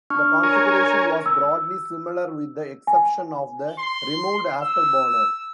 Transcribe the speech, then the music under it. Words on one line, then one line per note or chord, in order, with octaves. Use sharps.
The configuration was broadly similar with the exception of the removed afterburner.
D4 C#6 F6
A#4 C#5 G#5
E6
G#5
C6
E6